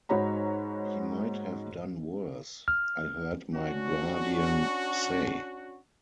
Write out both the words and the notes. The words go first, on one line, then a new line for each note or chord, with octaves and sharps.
"He might have done worse," I heard my guardian say.
G#2 D#4 F#4 C#5 A#5 B5
F6
C#4 D4 F#4